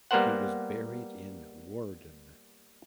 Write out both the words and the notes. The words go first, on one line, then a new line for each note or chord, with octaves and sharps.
He was buried in Woerden.
G3 A#3 B3 A#4 C5 F#5